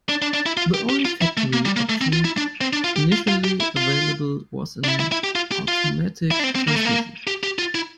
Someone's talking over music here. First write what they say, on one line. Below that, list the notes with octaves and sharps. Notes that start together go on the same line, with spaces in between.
The only factory option initially available was an automatic transmission.
D4
D4
D4
E4
F4
G4
G4
F4
E4
A3
A#3
G3
A#3
A3
C4
F4
E4
D4
C4
D4
F4
G4
F4
F4
G4
E4
F4
D4
E4
E4
E4
G4
F4
G4
F4
E4
D4
C4
C4
A#3
A3
A#3
G4
G4
F4
E4